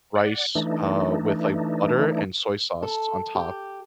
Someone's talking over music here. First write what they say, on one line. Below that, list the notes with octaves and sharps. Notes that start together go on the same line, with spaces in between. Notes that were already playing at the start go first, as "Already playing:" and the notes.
rice, uh, with like butter and soy sauce on top,
D5 F#5
E3 A3 D4 D#4
A4
G4